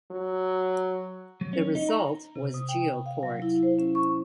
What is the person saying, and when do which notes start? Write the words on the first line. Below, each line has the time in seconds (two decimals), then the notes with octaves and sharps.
The result was GeoPort.
0.11 F#3
1.41 F#3
1.53 C#4
1.75 D#4
1.89 A#5
2.36 C3
2.54 D#6
2.69 G5
3.06 F5
3.23 F#3
3.42 E4
3.63 C5
3.79 C#4
3.95 C#6